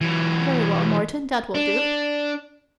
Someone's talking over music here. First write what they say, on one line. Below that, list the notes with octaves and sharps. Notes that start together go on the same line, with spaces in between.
"Very well, Morton, that will do."
E3 F#3
D4